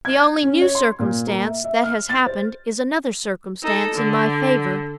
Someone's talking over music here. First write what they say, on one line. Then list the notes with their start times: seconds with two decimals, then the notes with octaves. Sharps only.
The only new circumstance that has happened is another circumstance in my favor!
0.05 G#6
0.43 C#4
0.61 C#5
0.75 C6
0.99 A#2
1.27 A#3
1.45 E5
1.64 E5
1.84 F6
2.09 A6
2.26 C5
3.63 D#4 A4
3.95 D3